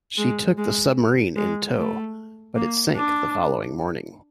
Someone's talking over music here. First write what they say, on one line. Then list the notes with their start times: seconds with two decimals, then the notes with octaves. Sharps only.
She took the submarine in tow, but it sank the following morning.
0.18 G#3
0.57 G#3
1.36 G#3
1.76 A3
2.56 A#3
2.95 D4